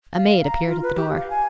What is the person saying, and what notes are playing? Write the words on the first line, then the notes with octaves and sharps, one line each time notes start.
A maid appeared at the door.
F5
A#5
F4
B4
G4
F5
G#5